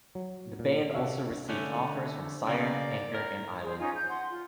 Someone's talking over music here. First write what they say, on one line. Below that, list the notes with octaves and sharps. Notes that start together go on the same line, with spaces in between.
The band also received offers from Sire, Anchor and Island.
F#3
A#2
C3 D4 F#4 C#5 E5 F5
D3 A3 C#4
C#3 A#3 D5
A#4
G#4 C5
C#4 D#4 F4 G#5
G6
F#5 C6
F4